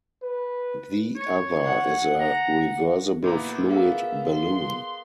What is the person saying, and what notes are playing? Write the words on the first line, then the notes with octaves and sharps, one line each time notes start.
The other is a "reversible fluid" balloon.
B4
C#5
F#5
A#5
A#2 B3 E4 A#5 D6
B3 G#4 A#4 E5 F5
C6